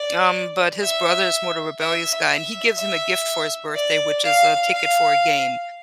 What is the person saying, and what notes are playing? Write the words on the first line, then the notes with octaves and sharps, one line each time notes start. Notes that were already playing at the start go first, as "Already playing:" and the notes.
Um, but his brother is more the rebellious guy, and he gives him a gift for his birthday which is a ticket for a game,
Already playing: D5
E5
E5
E5
E5
D5
F5
F5